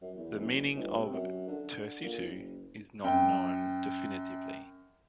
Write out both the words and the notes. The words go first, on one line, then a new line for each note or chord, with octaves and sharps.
The meaning of "tersitu" is not known definitively.
F#2
E2
F#1
G1
C3
F#2
D3
A#2
F#1
F#2 G5